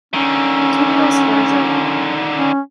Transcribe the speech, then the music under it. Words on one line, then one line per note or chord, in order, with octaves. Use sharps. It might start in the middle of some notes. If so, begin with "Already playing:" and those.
Tibial spurs are long.
D3 D#3 C#4
C#4